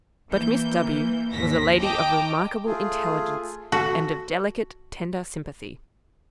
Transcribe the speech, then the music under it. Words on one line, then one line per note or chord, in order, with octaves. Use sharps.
But Miss W--- was a lady of remarkable intelligence and of delicate tender sympathy.
E3 A#3 G6
G#1 D#2 A#6 B6
D#5 G5 A5 A#5 D6
A3 F4 G#4
F#4 A4